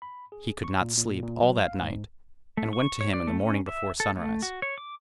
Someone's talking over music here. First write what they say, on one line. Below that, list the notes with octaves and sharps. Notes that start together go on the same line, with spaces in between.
He could not sleep all that night, and went to him in the morning before sunrise.
B5
G#4
C#6
A#2
A#2
A#2
F#3
F5
G#2
A3
C#6
C#5
D5
A3
C#4
E5
A4
A3
F#4
C#5
D6